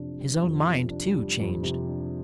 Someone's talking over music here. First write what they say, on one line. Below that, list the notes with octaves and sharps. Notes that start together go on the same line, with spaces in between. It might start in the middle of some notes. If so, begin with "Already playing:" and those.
His own mind, too, changed.
Already playing: F2 C3 D4
G3
F2
C3
D4
G3
F2
C3
D4